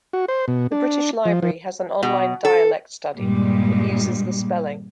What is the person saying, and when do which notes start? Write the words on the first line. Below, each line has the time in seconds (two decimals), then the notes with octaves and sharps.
The British Library has an online dialect study that uses the spelling.
0.13 F#4
0.28 C5
0.48 B2
0.72 D4
1.25 F3
1.43 F3
2.03 B2
2.45 A4
3.17 G2 A#2 G3 G#3